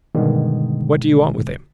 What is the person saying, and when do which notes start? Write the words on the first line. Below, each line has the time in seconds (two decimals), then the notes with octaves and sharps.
"What do you want with him?"
0.15 G2 B2 D3 D#3 G#3